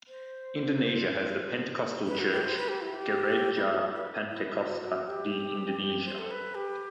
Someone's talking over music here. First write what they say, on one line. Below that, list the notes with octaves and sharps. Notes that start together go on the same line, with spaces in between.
Indonesia has the pentecostal church Gereja Pantekosta di Indonesia.
C5
B4
F#4
G4
C5
B4
G4
E4
G4
E4
F#4
A4
B4
E4
F#4
F#4
G4
C5
A4
B4
G4